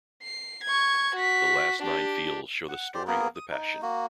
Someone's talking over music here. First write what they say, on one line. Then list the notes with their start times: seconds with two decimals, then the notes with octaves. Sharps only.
The last nine fields show the Story of the Passion.
0.23 C7
0.64 C#6 G#6
1.15 F#4 B6
1.82 D4 G4
2.68 F#5
2.94 G4 C5 D5
3.07 A#3 B3 G#4 A#4
3.36 D#6
3.51 D#4
3.82 A#3 F#4